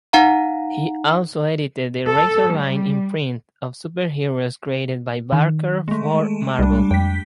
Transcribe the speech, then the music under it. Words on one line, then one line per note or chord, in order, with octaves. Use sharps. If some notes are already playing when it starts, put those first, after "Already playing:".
He also edited the "Razorline" imprint of superheroes created by Barker for Marvel.
D#4 F5 F#5 A#5
A4
G3
D#3
G#3 A3
C2 G3 D4
F2 G5 B6